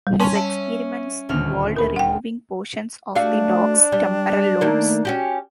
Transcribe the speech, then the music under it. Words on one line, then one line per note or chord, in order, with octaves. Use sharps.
His experiments involved removing portions of the dogs' temporal lobes.
G3
C#4 G#5 A5 C6
E5 A5
D#1 D2 F6
A#4 B5
F#5 G5
A3 D4 F#4 F5
G3
D#3 A3 A#3
C#4 F#4 G4